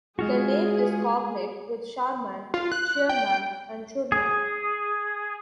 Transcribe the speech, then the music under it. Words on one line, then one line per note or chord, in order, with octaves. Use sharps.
The name is cognate with Sharman, Shearman and Shurman.
G#3 F4 F#4 G#4
F4
F#6
G5
G#4